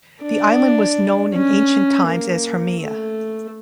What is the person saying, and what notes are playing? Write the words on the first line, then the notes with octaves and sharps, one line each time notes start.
The island was known in ancient times as Hermea.
D4
C#4
A#3
A3